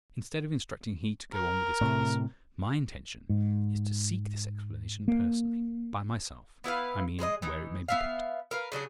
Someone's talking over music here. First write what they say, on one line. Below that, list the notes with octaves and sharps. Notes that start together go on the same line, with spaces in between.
Instead of instructing Heat to go on with this case, my intention is to seek this explanation personally--by myself, I mean--where it may be picked up.
A#4
A2 C3
G#2
A#3
B3 E4 B4 F5
G#3 G#4 A#4 D#5
E3 D#4
B3 E5 F5
A#4 B4 F5
C#3 F#3 D4 G#4